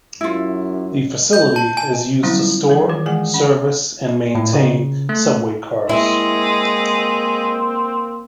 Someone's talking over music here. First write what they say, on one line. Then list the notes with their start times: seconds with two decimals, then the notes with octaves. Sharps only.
The facility is used to store, service and maintain subway cars.
0.21 F#2 E4 F4
1.33 G6
1.56 A5
1.77 G#5
2.23 D3 F#3 G3 B3 C#4 E4
2.39 F4
2.69 E3 G#4 A#4 G#5
2.89 D#3 F4 A#4
3.06 E3 G#3 G#4 F#5 G#5
3.34 C#4 F#5
4.35 A2
4.53 C#3
5.09 A3
5.89 G#3 A#3 C4 E4